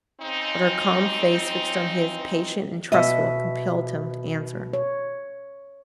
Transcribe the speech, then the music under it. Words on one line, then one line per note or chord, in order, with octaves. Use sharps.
But her calm face, fixed on his, patient and trustful, compelled him to answer.
C#3 C4 D#4
B2 F#4 D#5 E5
C#5